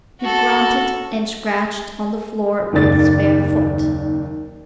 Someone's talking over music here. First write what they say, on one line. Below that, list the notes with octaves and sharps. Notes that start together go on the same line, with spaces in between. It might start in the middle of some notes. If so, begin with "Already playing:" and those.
He grunted and scratched on the floor with his bare foot.
F#4 A4
F#1 D#2 D5 A6